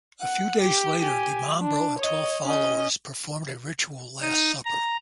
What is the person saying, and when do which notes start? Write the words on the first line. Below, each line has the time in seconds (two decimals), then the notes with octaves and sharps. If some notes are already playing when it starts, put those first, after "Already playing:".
A few days later, Di Mambro and twelve followers performed a ritual Last Supper.
0.22 F#5
0.61 G4
1.02 G4 G#5
1.60 D4
1.99 C#5 D#5
2.45 C#4 D#5
4.22 D#4
4.65 A#5